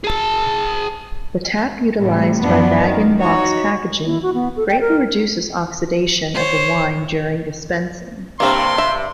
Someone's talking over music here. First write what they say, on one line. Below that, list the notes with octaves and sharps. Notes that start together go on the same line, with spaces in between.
The tap utilised by bag-in-box packaging greatly reduces oxidation of the wine during dispensing.
G#4 A5
A2 C3 G3
F#2 F3 B3 D4
D#3
D#4 F#4 C#5
E4
F#4
B3
A4
G5
A#4
C5 C#5
G2 C3 A#3 C4 C6
E5